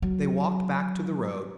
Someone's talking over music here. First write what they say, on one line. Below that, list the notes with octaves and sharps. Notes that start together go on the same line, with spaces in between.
They walked back to the road.
F#3